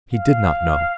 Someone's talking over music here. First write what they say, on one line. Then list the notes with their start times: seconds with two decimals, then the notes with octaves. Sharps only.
He did not know.
0.14 F5